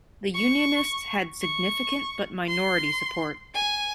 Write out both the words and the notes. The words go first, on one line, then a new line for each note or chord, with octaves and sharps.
The Unionists had significant but minority support.
C#6
C#6
C6
G#5